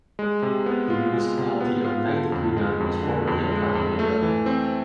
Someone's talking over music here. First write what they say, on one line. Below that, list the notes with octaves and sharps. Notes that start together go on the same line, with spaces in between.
The Municipality of Nagtipunan was formerly a part of Maddela.
G#3
C3
B3
F4
G#3
C3
B3
F4
D3
F2
G#3
F2
D3
F2
G#3
F2
A3
E3
C4